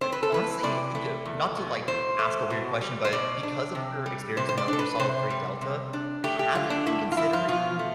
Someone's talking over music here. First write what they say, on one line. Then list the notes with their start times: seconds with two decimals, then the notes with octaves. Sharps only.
Uh, d Honestly, uh, d not to, like, ask a weird question, but because of your experience in Metal Gear Solid Three Delta, have you been considering,
0.01 C4 C5
0.12 B4
0.23 A4
0.32 E3 B4
0.63 C3 D5
0.95 A3
1.25 E2
1.57 B2
1.88 E2 C5
2.19 A3
2.50 B2
2.81 G3
3.05 C5
3.13 B2 D5
3.43 D4
3.75 C3
4.06 G3
4.37 C3 C5
4.49 C5
4.57 D5
4.68 D4 A4
4.79 B4
4.99 C3 C5
5.30 G3
5.61 C3
5.93 D4
6.24 A3 G4
6.39 G4
6.55 D3 F4
6.70 D4
6.86 G2 E4
7.12 F4
7.17 F3 E4
7.33 F4
7.48 B2 F4
7.79 A3